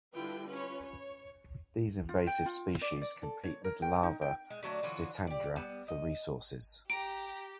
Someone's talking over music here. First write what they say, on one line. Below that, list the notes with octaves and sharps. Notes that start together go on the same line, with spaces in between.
These invasive species compete with lava cyrtandra for resources.
D3 G3 E4 F4 B4 G5
C#4 F4 B4 C#5
C#5
F4
G5
F4
D5
D5
A4
C#5
A#4
G5
D#4
G5
G#3
D3 F#3 A3 D4
D3 E3 F#3 F4
G4 D5
G3 B3
D#5
G4 A#5 D7